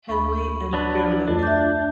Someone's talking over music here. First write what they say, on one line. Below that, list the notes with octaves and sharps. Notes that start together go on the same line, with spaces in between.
Henley, and Birlec.
D2 B5 C#6
F#3 D4 B4
F2 A3 D4 F4 A4 D#5
E5 D6 G6